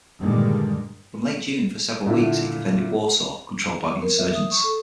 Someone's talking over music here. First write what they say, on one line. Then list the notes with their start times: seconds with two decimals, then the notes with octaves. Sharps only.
From late June, for several weeks, he defended Warsaw, controlled by the insurgents.
0.20 G2 A#2 D3 D#3 G3 G#3
2.06 A#2 D3 E4 E5
4.02 A#4
4.19 E5
4.35 D#6
4.51 C#6
4.64 A4